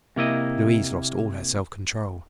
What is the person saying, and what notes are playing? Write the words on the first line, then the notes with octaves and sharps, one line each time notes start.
Louise lost all her self-control.
C3 A#3 E4 D#5